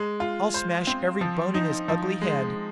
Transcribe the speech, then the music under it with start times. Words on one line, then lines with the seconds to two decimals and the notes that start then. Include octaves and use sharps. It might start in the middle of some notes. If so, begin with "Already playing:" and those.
"I'll smash every bone in his ugly head."
Already playing: G#3
0.20 F4
0.54 C5
0.87 C4
1.21 F3
1.54 D#4
1.88 F3
2.22 G#3